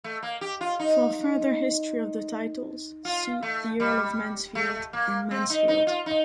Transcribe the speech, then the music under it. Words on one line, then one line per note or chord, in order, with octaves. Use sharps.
For further history of the titles, see the Earl of Mansfield and Mansfield.
A3
A#3
G4
F4
D#4
F4
A3
G3
A3
A#3
C4
D#4
D#4
F4
D#4